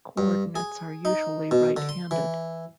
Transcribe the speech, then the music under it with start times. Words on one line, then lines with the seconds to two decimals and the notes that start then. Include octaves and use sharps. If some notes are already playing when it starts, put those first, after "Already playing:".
Coordinates are usually right-handed.
0.18 G2
0.56 G#4
1.05 D#4
1.51 B2
1.77 D3
1.89 C6
2.11 E3